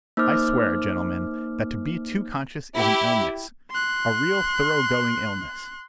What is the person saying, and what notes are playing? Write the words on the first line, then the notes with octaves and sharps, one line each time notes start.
I swear, gentlemen, that to be too conscious is an illness--a real thorough-going illness.
A#3 D#4 C5 D6 F6
E4 G4
C6 F#6